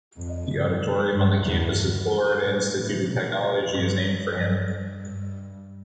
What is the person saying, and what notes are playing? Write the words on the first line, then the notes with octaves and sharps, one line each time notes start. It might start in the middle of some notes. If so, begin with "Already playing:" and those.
The auditorium on the campus of Florida Institute of Technology is named for him.
F2
G2
G2
E2
G2
A2
A2
A#2
G2
G2
G2